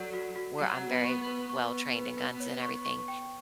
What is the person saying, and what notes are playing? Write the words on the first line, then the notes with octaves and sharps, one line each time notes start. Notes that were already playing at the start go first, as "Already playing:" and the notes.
where I'm very well-trained in guns and everything,
Already playing: F#3 A4 D5 F#5
F#4
F#4
F#3 F#5
F#5
B3
C#6
B3
B4
B3 C#6
B4
B4
B4
C#5
C#6
C#6
G5